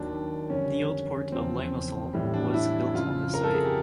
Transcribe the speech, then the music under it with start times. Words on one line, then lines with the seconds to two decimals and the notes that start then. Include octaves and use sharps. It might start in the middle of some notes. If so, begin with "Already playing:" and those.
The old port of Limassol was built on this site.
Already playing: D#2 D#3 F#3 D4
0.50 F2 D3 G3 C#4
1.32 E2 C#3 F3 C4
2.13 A2 E3 G3
2.34 D4
2.54 E4
2.94 F2 C#3 F3 F4
3.34 A#4
3.44 A4
3.54 G#4
3.65 G4